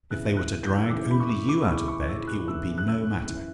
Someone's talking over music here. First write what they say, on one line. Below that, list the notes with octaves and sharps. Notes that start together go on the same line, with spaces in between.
If they were to drag only you out of bed, it would be no matter.
E2 C#3 E3 F#6
F#6
G6
E6
E2 C#3 E3 D6
B5
C#6
D6
D6
E2 C#3 E3 C#6
C#6
E6
F#6
E2 C#3 E3 E6
F#6
E6
F#2 E3